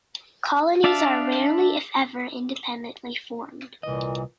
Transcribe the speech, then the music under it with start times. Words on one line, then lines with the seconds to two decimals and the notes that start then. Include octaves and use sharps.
Colonies are rarely, if ever, independently formed.
0.84 D4 D5 E5 F5 A5
3.83 C2 A#2 E3 D#5